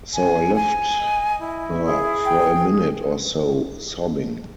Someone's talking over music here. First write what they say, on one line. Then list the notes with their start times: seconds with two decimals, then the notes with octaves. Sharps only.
So I left her for a minute or so sobbing.
0.13 G#5
0.55 G#5
0.98 D#5
1.40 E4
1.83 G#4
2.26 G5